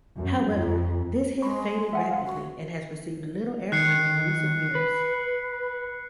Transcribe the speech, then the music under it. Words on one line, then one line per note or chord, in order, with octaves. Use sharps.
However, this hit faded rapidly and has received little airplay in recent years.
F#2
F2
G#3 B5 C#6
E5 F#5 G#5
F5 F#5
F#4
D#3 F#6 C7 C#7
B4